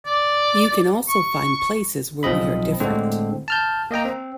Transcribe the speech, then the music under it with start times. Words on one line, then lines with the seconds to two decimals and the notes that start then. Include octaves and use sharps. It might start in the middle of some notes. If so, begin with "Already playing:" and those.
You can also find places where we are different.
0.06 D5
1.09 C#6
2.23 B1 F3 C4 D#5 B5
2.80 A2 D3 G#3 C4
3.48 A5 F6 G6
3.91 A#3 D#5 G5 A#5
4.05 C4